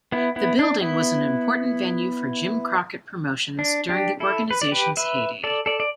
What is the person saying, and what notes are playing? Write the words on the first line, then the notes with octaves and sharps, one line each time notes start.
The building was an important venue for Jim Crockett Promotions during the organization's heyday.
B3 E4
B3 E4
D4
B3 E4
D4
D4 G4
E4 A4
B4
D5
G4 B4
B4 E5
A4 D5
A4 D5
D5